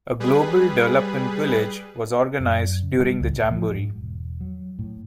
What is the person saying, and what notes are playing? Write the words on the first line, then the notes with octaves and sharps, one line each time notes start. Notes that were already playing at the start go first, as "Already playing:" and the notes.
A Global Development Village was organized during the jamboree.
G3 G#4 B4
F#2
C#3
G3
C#2
C2
F3
G#2
E1
F#3
A2